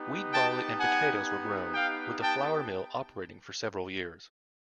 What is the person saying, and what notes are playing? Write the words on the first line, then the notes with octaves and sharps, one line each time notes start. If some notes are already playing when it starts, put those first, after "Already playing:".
Wheat, barley and potatoes were grown, with a flour mill operating for several years.
Already playing: B3 D#4 G4
G5 A5
F#5 G#5
F5 G5
G5 A5